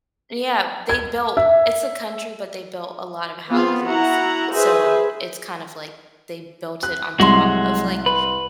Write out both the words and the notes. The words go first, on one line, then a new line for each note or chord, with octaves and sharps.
Yeah. They built it's a country, but they built a lot of houses. So it's kind of, like, they built it on top of, like,
G#6
E5
B3 C4 F4 G#4 F5
E4 F#4 F#5 A#5
G#4 B4 C5 E5
F#6
C2 F#3 G#3 F#4 C6
B4